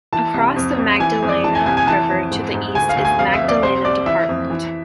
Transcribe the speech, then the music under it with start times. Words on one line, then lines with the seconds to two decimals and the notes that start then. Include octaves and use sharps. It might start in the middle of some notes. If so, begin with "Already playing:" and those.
Across the Magdalena River to the east is Magdalena Department.
0.12 E3 A5
0.34 C2
0.56 F2
0.78 F2
1.00 E3 G#5
1.22 F2
1.29 D5
1.44 E3 A5
1.55 G#5
1.65 C2 G#5
1.77 G#5
1.87 E3 A5
2.10 F2
2.31 G#2
2.54 G#2
2.75 D2 G#5
2.89 F5
2.97 D2
3.05 G#5
3.19 F2 F5
3.34 E5
3.41 F2
3.48 D5
3.62 C2 C5
3.85 C2 D5
4.06 E3 E5
4.29 F2
4.50 E3